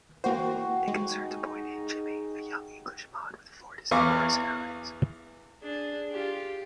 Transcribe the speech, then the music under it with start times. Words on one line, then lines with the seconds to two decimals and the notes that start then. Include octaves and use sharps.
It concerns a boy named Jimmy, a young English Mod with four distinct personalities.
0.24 E3 A#3 F#4 G4 C5
0.88 G#3 D#4 G#4
3.91 E2 E3 E4 F5 C#6 D6
5.62 D4 G#4
6.10 F4 G4